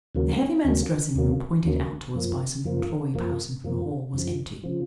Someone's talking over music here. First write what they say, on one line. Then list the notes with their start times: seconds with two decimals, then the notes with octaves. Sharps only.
The heavy man's dressing room, pointed out to us by some employee passing through the hall, was empty.
0.15 D#2 C#3 F#3 A#3
0.64 D#2 C#3 F#3 A#3
1.15 D#2 C#3 F#3 A#3
1.65 D#2 C#3 F#3 A#3
2.15 F#2 F3 A#3
2.64 F#2 F3 A#3
3.14 F#2 F3 A#3
3.64 F#2 F3 A#3
4.13 F#2 C#3 F3
4.63 C#3 F3